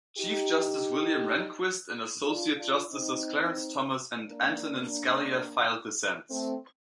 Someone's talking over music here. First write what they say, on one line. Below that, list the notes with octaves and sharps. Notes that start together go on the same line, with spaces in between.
Chief Justice William Rehnquist, and Associate Justices Clarence Thomas, and Antonin Scalia filed dissents.
D#4 G4
D4 F4
D4 F4
C4 D#4
A#3 D4
A3 C4